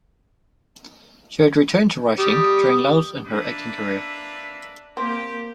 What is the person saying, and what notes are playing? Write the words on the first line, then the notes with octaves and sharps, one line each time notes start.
She would return to writing during lulls in her acting career.
G3 D#6
A#3 D4 B4 E5
A#3 C4 G4